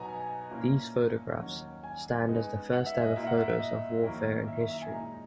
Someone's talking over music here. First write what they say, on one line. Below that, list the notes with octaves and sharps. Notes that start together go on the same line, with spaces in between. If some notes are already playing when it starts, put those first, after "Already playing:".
These photographs stand as the first ever photos of warfare in history.
Already playing: B2 F#3 B3 D#4 G#5 A#5
A#2 A#3 C#4 E4
D#2 D#3 F#3 C#4
G#5
C#3 G#3 B3 D#4
F#5
E5
D#5
A#2 A#3 E4 E5
F#5
E5
E5
D#5
F#2 D#3 A#3 C#4 E4
E5
E5
E5
G#5
A#2 G#3 D#4 A#5